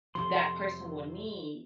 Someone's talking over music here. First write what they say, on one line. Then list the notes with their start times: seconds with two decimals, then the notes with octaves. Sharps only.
that person will need,
0.15 F2 C3 F3 C6